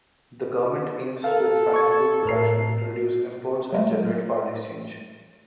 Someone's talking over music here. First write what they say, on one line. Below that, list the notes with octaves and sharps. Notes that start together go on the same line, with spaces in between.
The government aims to expand food production to reduce imports and generate foreign exchange.
A4 A#4 F5
C#6 G#6
A2 A#4 C7
F#3 G#3 A3